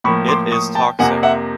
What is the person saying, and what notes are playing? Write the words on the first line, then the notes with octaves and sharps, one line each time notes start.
It is toxic.
A2 F3 A#3 B5 C#6
C6 D6
C#6 D#6
G5 A5
F2 C3 F3 A#3 F#5 G#5
E5 F#5